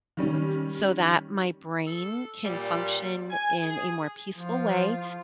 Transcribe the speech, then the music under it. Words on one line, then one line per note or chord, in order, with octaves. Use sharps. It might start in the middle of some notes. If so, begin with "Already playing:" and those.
so that my brain can function in a more peaceful way,
D#3 G3 C#4
A4
A#2 G3
G#5
G#4
F3 F4